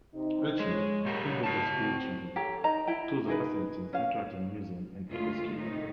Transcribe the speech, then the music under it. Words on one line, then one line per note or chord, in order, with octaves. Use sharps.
Each year, hundreds of school children tour the facility's Interactive Museum and EcoScape.
C3 D#4
G#3 C#5
A#2 G4 A#4
F#4 A5
C4
G4 A4 C#5 A#5
D#4 D#5 A#5
E4 G5
D#4 G#4 A#4 B4
C#4 F5
D2 G#3 A3 F4
A2 C3 D#3 D#4